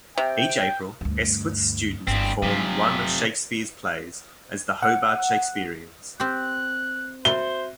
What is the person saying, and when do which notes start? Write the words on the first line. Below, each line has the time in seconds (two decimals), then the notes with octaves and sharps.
Each April, Esquith's students perform one of Shakespeare's plays as "The Hobart Shakespeareans".
0.18 C3 G5
1.01 D2 G2
2.07 G1 G2 C4
2.42 G1 C3 F3 F#3
4.83 F#5
6.20 C4 G4 F#6
7.25 F#4 C5 E5 G7